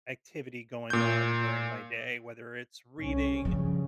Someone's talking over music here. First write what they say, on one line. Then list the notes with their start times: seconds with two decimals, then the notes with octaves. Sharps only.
activity going on during my day, whether it's reading
0.90 A#2 G6
3.00 C2 C#4
3.45 G2 C#3 F3